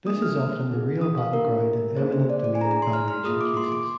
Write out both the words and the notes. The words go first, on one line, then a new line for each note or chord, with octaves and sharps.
This is often the real battleground in eminent domain valuation cases.
A#3 D4 G#4 D#6
F6
C4 D#4 G#4
D#6
F5
A#3 D4 G4 A#4
A#3 D#4 G#4 C5
C5
D5
D5
G#5
D4 G#4 A#5
A#5
C6
F6
F6
A#3 F4 G#4 D#6
D6
C6
D6